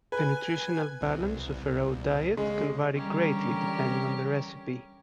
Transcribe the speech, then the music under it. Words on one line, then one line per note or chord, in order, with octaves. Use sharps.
The nutritional balance of a raw diet can vary greatly depending on the recipe.
B4 G#5
C2
C#3 G#3
D3 E3 G3 C#4 G4 A#4